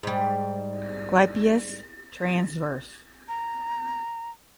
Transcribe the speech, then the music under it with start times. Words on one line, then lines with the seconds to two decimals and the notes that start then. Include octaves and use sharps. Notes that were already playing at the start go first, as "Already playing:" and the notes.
Clypeus transverse.
0.03 G#2 G3
3.28 A#5